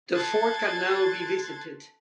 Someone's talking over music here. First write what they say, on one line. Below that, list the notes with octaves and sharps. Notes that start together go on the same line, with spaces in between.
The fort can now be visited.
A4 A5 C6 F#6 G#6 A6